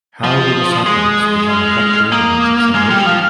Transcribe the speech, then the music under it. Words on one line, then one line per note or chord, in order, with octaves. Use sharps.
How do the sacraments become effectual means of salvation?
F3 D#6
G#3
F6
A#3 D#6
F6
G#3
G3
F3